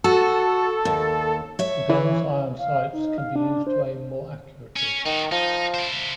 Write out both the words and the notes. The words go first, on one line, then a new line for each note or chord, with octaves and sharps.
A gun's iron sights can be used to aim more accurately.
F#4 A4
D#2
C#5 E5
E3
F5
D#4
F5
D4
C5
C#4
D#3 D#4 F#4
F3 D#4
E4 C5